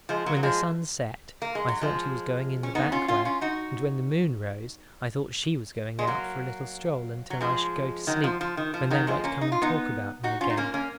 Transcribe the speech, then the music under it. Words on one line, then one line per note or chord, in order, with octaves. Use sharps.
When the sun set, I thought he was going in the back way; and when the moon rose, I thought she was going out for a little stroll until I should go to sleep, when they might come and talk about me again.
F3 G#3
F#3 A#3
F#3
F3 G#3
A#3
G#3
F#3
F3 G#3
C#4
B3 D#4
C#4 F4
C#4 F4
C#4 F4
D#4 F#4
G#3
F#3 A#3
F#3
F3 G#3
D#3 F#3
F3
F3
D#3
F3
D#3 F#3
F3 G#3
A#3 C#4
D#4
F4
B3 D#4
D#4 F#4
C#4 F4
D#4
A#3 C#4
A#3 C#4